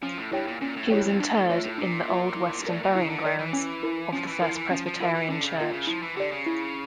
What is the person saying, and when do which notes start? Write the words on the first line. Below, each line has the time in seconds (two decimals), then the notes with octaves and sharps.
He was interred in the old Western Burying Grounds of the First Presbyterian Church.
0.03 F3 C#4
0.18 A2
0.31 G2 E4 G4 C#5 G5
0.47 A#2
0.61 A#2 C#4
0.76 A2
0.90 G2 E4 G4 C#5 G5
1.05 F2
1.20 G2 D4
1.34 A2
1.49 A2 F4 C#5 E5
1.64 A2
1.78 A#2 D4
2.08 F4 C#5 E5
2.36 E4
2.58 G2
2.66 A2 A#4 D5 A5
2.83 A#2
2.95 C#3 E4
3.09 D3
3.24 E3 A#4 D5 A5
3.39 E3
3.53 C#4
3.83 E4 A#4
4.13 F3 C#4
4.27 E3
4.41 F3 E4 A#4
4.56 E3
4.71 F3 C#4
4.86 F3
5.00 E3 F4 A#4 E5
5.15 E3
5.29 D3 C#4
5.44 C#3
5.58 A#2 F4 A#4 E5
5.73 C#3
5.87 F3 E4
6.02 E3
6.16 D3 G4 D5
6.32 C#3
6.46 E4